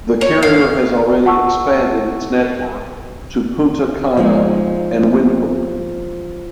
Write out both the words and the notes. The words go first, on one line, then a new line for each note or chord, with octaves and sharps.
The carrier has already expanded its network to Punta Cana and Windhoek.
C#5
F5
F#5 A5 C#6 E6
F3 G#3 D#4